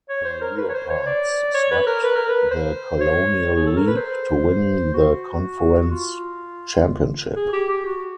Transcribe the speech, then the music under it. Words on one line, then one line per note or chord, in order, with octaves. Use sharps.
The Leopards swept the Colonial League to win the conference championship.
C#5
C5
A#4
B4
C#5
C5
C#5
D5
C#5
B4
A#4
B4
A#4
B4
C5
C#5
G#4
A4
A#4
B4
C5
F#4
F4
G#4
G4
G4
F#4